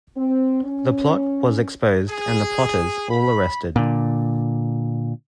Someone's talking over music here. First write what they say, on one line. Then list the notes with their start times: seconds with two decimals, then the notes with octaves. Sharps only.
The plot was exposed and the plotters all arrested.
0.17 C4
0.64 C#4
2.09 G#4
3.09 B5
3.76 A#2 D3